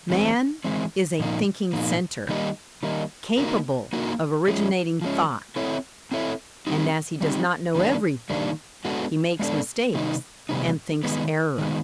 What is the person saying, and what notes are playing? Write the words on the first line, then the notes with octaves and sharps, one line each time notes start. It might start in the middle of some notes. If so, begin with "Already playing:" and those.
Man is a thinking center, capable of originating thought; and as he does not know everything, he makes mistakes and thinks error.
E3 G#3 C4
E3 G#3 C4
A#2 F3 A#3 D#4
A#2 F3 A#3 D#4
D#3 G3 A#3 D#4
D#3 G3 A#3 D#4
A#3 D#4 F#4 A#4
A#3 D#4 F#4 A#4
F3 G#3 C#4
F3 G#3 C#4
C4 E4 A4 C#5 E5
C4 E4 A4 C#5 E5
G3 C4 D#4 G4
G3 C4 D#4 G4
D#3 G3 A#3 D4
D#3 G3 A#3 D4
G#3 B3 D4 F#4 A4
G#3 B3 D4 F#4 A4
C3 D#3 G3 B3 D#4
C3 D#3 G3 B3 D#4
D#3 G#3 B3
D#3 G#3 B3